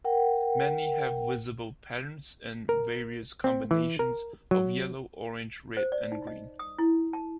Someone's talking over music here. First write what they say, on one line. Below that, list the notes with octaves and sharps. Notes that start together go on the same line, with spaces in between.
Many have visible patterns in various combinations of yellow, orange, red and green.
A#4 F#5 G5
A#4
C4
E3
A#4
F#3
C5
D5
D#4
D#5
D#6
E4
A5